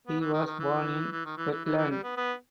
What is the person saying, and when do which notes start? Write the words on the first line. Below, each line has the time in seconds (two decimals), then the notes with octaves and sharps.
He was born in Hetland.
0.07 B3
0.20 E3
0.33 D#3
0.47 D#3
0.59 E3
1.12 E3
1.25 D#3
1.37 E3
1.51 E3
1.65 E3
1.77 E3
1.90 G3
2.03 B3
2.17 B3